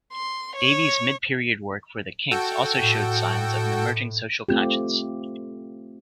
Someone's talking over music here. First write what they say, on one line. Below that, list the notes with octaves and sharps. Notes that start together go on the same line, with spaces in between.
Davies' mid-period work for the Kinks also showed signs of an emerging social conscience.
C6
C#5
F#4 A4 G5
A2
A3 C4 F4 G4